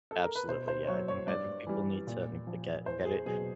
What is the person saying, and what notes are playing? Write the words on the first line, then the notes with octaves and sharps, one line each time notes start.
Absolutely, yeah. I think I think people need to need to get get it
A4
A#4
B4
B2 C5
C5
F#3 C#5
C#5
G2 D5
E3 G3
A#2
F3
E2 C5
G#4
B2 F#3 G#4